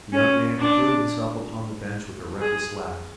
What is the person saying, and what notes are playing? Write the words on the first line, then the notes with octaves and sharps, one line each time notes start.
The young man threw himself upon the bench with a reckless laugh.
C#4
D4
G#4